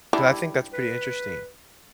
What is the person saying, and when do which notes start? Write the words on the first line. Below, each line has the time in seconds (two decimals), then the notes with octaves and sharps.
'cause I think that's pretty interesting.
0.13 G3 D4 E4
0.73 B4